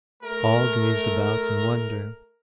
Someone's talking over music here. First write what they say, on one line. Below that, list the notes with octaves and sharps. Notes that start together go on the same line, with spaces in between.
All gazed about in wonder.
A3 A#4